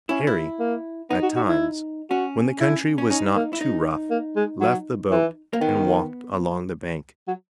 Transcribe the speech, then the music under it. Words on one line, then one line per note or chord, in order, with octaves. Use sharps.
Harry, at times when the country was not too rough, left the boat and walked along the bank.
C#4 E4
E4
A#3
B3 D#4
F#4
F#4
E4
C#4 F#4
E4
C#4
C#4 D#4
A#3
E4
D#4
A#3
G#3
F#3
E3
A#3
D#3 B3
F#3